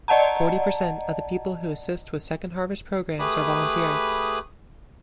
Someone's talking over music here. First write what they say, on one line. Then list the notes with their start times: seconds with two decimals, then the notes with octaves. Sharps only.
Forty percent of the people who assist with Second Harvest programs are volunteers.
0.08 D5 D#5 F#5 A5 A#5
3.19 A3 G4 G#4 B4 B5 D#6